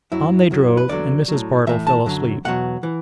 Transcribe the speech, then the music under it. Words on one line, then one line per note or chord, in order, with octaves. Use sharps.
On they drove, and Mrs. Bardell fell asleep.
F#2 F#3 E4
F#2 F#3
B4
E2 D3 F#3 D5
A2 F#3
A2 E3 E5
A5
F#2 D3 F#3
E2 B2 F#3 F#5
E3